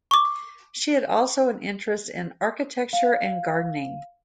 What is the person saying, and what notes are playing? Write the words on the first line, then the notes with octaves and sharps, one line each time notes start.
She had also an interest in architecture and gardening.
C#6 D6
F5